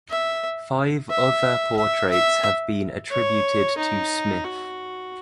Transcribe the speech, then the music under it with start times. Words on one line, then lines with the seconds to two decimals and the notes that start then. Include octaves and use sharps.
Five other portraits have been attributed to Smith.
0.10 E5
1.10 E5
1.77 E5
2.11 E5
3.11 C#5
3.78 D#4
4.44 F#4